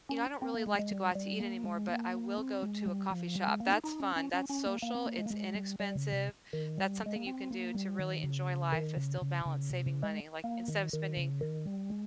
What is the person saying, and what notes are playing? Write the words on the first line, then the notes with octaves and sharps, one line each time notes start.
you know, I don't really like to go out to eat anymore, but I will go to a coffee shop- that's fun, that's social, it's inexpensive. That's something you can do to really enjoy life and still balance saving money- like, instead of spending
C#4
C4
A#3
G#3
G#3
G3
G3
A#3
G#3
A#3
C4
G#3
G3
F3
G3
G#3
A#3
C#4
D#4
D#4
C#4
C#4
C#4
C#4
A#3
A#3
C4
A#3
G#3
A#3
G#3
G3
G3
C#3
C3
D#3
G3
G#3
A#3
C4
A#3
G3
D#3
C#3
D#3
C#3
C#3
C#3
C3
C#3
G#3
A#3
D#3
D#3
C#3
D#3
G3
G#3